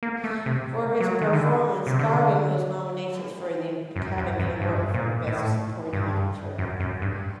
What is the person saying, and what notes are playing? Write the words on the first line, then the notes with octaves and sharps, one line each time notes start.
For his performance Gargan was nominated for the Academy Award for Best Supporting Actor.
A#3
A3
C3
F#3
D#3
D3
C3
D3
F#2
F#2
F#2
G2
A#2
A2
G2
F#2
F#2
G2